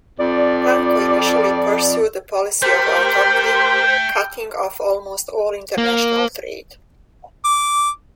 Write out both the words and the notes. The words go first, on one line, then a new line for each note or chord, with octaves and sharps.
Franco initially pursued a policy of autarky, cutting off almost all international trade.
F2 D5
A3 G4 A#4 C5 G5
A#3
D6